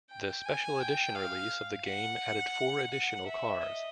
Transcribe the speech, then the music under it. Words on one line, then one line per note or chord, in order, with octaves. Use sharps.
The "Special Edition" release of the game added four additional cars.
G5
G#5
G5
F5
F#5
F#5
E5
D#5